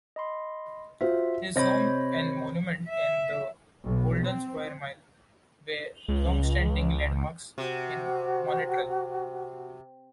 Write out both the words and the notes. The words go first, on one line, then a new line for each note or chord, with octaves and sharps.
His home and monument in the Golden Square Mile were longstanding landmarks in Montreal.
D#5 B5 C6
F4 F#4 C5 E5
C3 C5 C#5 D#5 B5 A#6
E5
B1
C4
C#2
C3 F#4